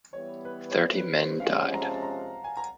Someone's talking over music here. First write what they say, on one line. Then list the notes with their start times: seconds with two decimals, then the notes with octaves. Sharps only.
Thirty men died.
0.13 E3 G3 B3 C#5
0.45 B4
0.70 C#5
0.76 C5
0.97 B4
1.18 C5
1.40 C3 F3 G#3 C#4 F5
1.60 F#5
1.74 A#5
1.81 A5
1.93 A5
2.02 A#5
2.44 G#5
2.57 A#5